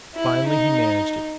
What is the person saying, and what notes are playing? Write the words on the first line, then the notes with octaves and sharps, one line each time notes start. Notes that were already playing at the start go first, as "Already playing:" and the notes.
Finally he managed it.
E4
D#4